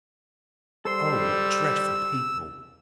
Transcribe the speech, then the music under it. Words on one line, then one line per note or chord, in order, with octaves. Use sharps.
Oh, what dreadful people!
G3 A4 C5 C6 E6